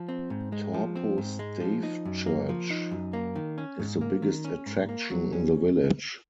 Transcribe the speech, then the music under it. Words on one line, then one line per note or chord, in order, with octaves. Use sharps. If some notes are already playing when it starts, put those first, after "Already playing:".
Torpo stave church is the biggest attraction in the village.
Already playing: F3
C4
G#2
G#3
F3
C4
G#2
G#3
F3
D#4
F#2
A#3
F3
D#4
F#2
A#3
D#3
C#4
G#2
A#3
D#3
C#4
G#2
A#3
F#3
C#4